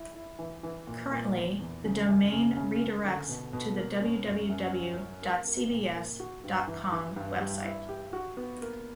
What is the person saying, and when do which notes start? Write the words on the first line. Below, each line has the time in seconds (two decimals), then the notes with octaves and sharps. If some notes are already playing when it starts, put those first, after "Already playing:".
Currently, the domain redirects to the www dot cbs dot com website.
Already playing: E4
0.15 E4
0.39 E3
0.63 E3
0.87 A#2
1.11 A#2
1.36 E2
1.60 E2
1.85 C#3
2.08 F#2
2.32 C#3
2.57 C#3
2.80 A#3
3.05 D3
3.29 B2
3.53 B2
3.77 A#3
4.01 C#4
4.26 F#2
4.50 F#2
4.74 F#3
4.98 F#3
5.22 A#3
5.47 A#3
5.71 A#2
5.95 A#3
6.20 F#4
6.44 G2
6.67 E3
6.92 E3
7.16 G2
7.40 G3
7.64 E4
7.89 G4
8.13 F#4
8.37 B3
8.62 A#3